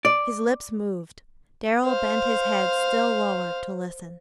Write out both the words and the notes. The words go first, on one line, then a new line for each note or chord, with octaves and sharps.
His lips moved; Darrell bent his head still lower to listen.
D5
C5 F5